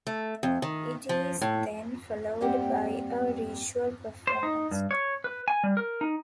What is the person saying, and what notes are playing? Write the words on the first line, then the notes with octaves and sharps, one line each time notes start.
It is then followed by a ritual performance.
A3
F2
D#3
F3
A2
G3 A#3 C4 G4 F#5
C5
D#4
G2
C#5
B4
G#5
G3
A#4
D#4